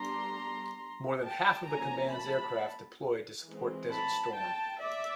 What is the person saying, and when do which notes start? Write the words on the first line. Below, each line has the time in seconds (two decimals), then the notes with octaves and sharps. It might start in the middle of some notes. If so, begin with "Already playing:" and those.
More than half of the command's aircraft deployed to support Desert Storm.
Already playing: G3 B3 D4 A#5 C6
1.25 G5 A5
1.69 F3 A#3 C#4 G#5 A#5
2.13 A5 B5
3.47 E3 G#3 C4
3.91 A5 B5
4.36 G5 A5
4.80 D5 E5